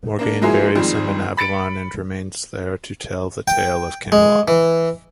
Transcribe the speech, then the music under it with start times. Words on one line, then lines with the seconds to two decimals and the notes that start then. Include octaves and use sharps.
Morgaine buries him in Avalon and remains there to tell the tale of Camelot.
0.19 A#3 D4
0.41 F3 F#3 G#3 A#3 E4 G#4
0.75 F2 D#3 F3 G3 G#3 C4
1.37 B5 A6 C#7 D7
3.48 G5
4.12 G#3
4.48 E3